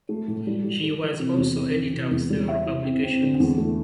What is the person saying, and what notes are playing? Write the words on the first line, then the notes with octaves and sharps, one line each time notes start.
She was also editor of several publications.
A3
A2
G3
G3
A4
E3
C3
E2
C4
E3
C3
E2
G3
E5
E4
C4
C4
D3
E2
A3